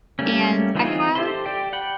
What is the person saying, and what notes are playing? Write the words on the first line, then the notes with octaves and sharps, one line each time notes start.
and I have
G3 A3 A#3 C#4
E3 C4 D#4 F4 G#4
G4 A4 C5 E5 C6
G4 D5 G5
F#5 G5 B5